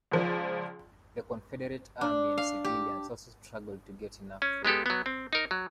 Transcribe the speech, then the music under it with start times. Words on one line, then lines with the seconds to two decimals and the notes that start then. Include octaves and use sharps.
The Confederate Army and civilians also struggled to get enough food.
0.11 C#2 F3 D5
2.01 D4
2.38 F5
2.64 G4
4.42 C#4
4.65 G#3 B3 G4 A4
4.86 F#3 B3
5.06 C4
5.33 D#4 A#4
5.51 F#3